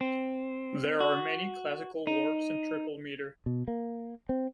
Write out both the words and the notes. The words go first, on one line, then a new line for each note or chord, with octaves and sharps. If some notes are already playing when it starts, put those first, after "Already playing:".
There are many classical works in triple metre.
C4
F#4
D#4
B2
A#3
C4